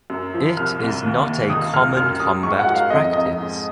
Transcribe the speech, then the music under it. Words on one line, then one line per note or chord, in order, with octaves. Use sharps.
It is not a common combat practice.
F#2
F3
C2 F6
C2
D#2
D#2
C#2 D#6
C#2 F6
F#2 F6
F#2 D#6
G#2 C#6
F#5
F#3
F5
F2 D#5
F2 D#5
G#2